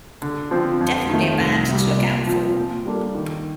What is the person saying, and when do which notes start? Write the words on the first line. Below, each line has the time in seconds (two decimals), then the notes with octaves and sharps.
Definitely a band to look out for.
0.22 D3
0.51 F3 C4
0.81 F2
1.10 D#3 A3
1.40 C2
1.68 C3 G3
1.98 A#2
2.27 F3 C4 F4
2.57 A#2
2.85 G3 A#3 D4 A4
3.15 D#3